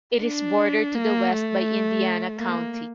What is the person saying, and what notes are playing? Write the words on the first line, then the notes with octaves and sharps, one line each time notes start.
It is bordered to the west by Indiana County.
D4
A#3
A3
A#3